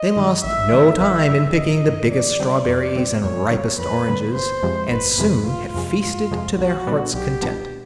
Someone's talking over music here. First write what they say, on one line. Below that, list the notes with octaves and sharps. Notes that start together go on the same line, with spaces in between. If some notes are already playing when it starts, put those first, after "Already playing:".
They lost no time in picking the biggest strawberries and ripest oranges and soon had feasted to their hearts' content.
Already playing: D#5
G2 D#3
A1 E5
G2 D#3
A1 E5
G2 D#3
A1 D#5
G2 D#3
F2 D5
D3 G3 C4
F2
D3 G3 C4
F2 C#5
D3 G3 C4
F2 B4
D3 G3 C4
G1 C5
F2 C3 F3 G#3
G1 B4
F2 C3 F3 G#3
G1 F4
F2 C3 F3 G#3
G1 F4
F2 C3 F3 G#3
B1 F#4
A#2 G3 B3 D4
B1 G4
A#2 G3 B3 D4